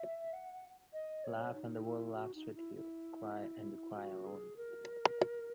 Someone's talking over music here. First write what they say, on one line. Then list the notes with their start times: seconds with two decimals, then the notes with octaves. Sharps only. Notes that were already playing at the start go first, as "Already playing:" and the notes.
Laugh and the world laughs with you. Cry and you cry alone.
Already playing: E5
0.33 F#5
0.93 D#5
1.24 C#5
1.54 D#4
1.84 E4
2.14 F#4
2.34 D#4
2.55 E4
2.75 E4
3.96 F#4
4.26 G#4
4.56 A#4